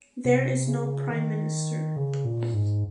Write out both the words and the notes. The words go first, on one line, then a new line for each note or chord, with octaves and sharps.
There is no prime minister.
C3
C#3
D#3
C#3
A#2
G#2